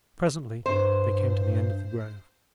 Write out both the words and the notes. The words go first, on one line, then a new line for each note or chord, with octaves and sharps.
Presently they came to the end of the grove.
G2 C5